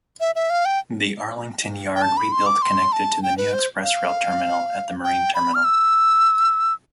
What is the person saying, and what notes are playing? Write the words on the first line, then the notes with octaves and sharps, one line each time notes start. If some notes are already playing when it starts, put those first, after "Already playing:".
The Arlington Yard re-built connected to the new ExpressRail terminal at the marine terminal.
E5
E5
F5
G5
G5
A5
B5
C6
D6
C6
A5
G5
B4
C5
F5
G5
B5
F6
E6